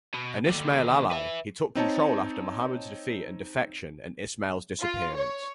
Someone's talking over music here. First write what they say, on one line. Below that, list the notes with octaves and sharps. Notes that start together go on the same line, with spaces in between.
An Ismail ally, he took control after Muhammad's defeat and defection and Ismail's disappearance.
B2
D#2 D3
B4 E5
C4 D#4 C#5 A5
F4
C#5